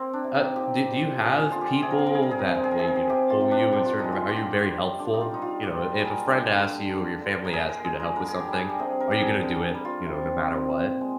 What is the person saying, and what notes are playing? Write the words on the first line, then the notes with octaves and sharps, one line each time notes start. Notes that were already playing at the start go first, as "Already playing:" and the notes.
Uh, do do you have people that, hey, you know, pull you in certain dire are you very helpful? You know, i if a friend asks you, or your family asks you to help with something, are you gonna do it, you know, no matter what?
Already playing: A#3 C4
D4
C3
D#4
A#2 G4
G3
D3 G#4
G#4
D3 F4
G4
C3 G#4
A#4
G#4
A#4
G3 G#4
A#4
G#4
A#4
C3 G#4
A#4
G#4
A#4
C3 G#4
A#4
G#4
C3 G4
F4
C3
D4
D3 G4
F4
G#3 D#4
F4
G4
D3 F4
G3
D3 G4
D#4
F4
G3 D#4
F4
A#2 G4
G3
G#4
A#4
D3 A#4
D3
D3
D3
A#4
A#2 G#4
A#4
G#3 G#4
A#4
D3 A#4
G#4
G4
G3 G#4
G4
C3 G#4
A#4
G3 G4
G#4
D3 A#4
G3
F4
C3
C3
A#2
G#3